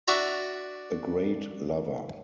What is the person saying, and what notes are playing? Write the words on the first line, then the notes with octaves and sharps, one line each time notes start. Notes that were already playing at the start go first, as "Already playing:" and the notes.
A great lover.
D4 F#4 E5 A#5